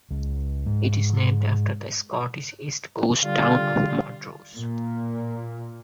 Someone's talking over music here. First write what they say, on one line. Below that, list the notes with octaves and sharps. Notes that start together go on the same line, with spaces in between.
It is named after the Scottish east coast town of Montrose.
C#2
G#2
D3 G3 F4
A#2